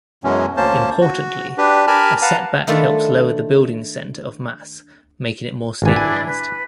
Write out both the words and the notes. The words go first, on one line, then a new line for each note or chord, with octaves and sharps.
Importantly, a setback helps lower the building center of mass, making it more stabilized.
F#2 B2 E3 G#3 C#4
D2 A#3 C#4 C5 A5
F#4
D4 G4 B4
G4 A#4 G#5 A5 B5 F6
B4 F5 F#5 A5 A#5
D#3 A3 D4 F4 A4 B4
G#1 D4 E4 B4 G#5
G#5
B4